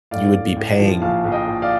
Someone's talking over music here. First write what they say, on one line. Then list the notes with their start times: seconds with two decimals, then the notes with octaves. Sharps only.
you would be paying,
0.11 A2 D5 F5
0.34 A2
0.56 A2
0.80 F3
1.02 A#1 F5 A5
1.25 A#1
1.32 D#5 G5
1.47 A#1
1.62 D5 F5